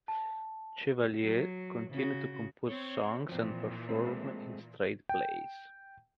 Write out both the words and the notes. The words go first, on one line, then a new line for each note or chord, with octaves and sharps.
Chevalier continued to compose songs and perform in straight plays.
A5
F#3
C#3 F#4
C4 C#5
A#2 E3 F3 C4
G#3 A3 C4
G5